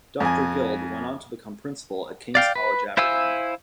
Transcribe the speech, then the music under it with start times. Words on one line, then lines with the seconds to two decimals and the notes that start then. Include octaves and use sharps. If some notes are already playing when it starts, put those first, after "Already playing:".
Doctor Guild went on to become principal at King's College, Aberdeen.
0.20 F2 G#5
2.35 D5 F5 G5
2.56 B4
2.97 E4 C5 F5 G#5 E6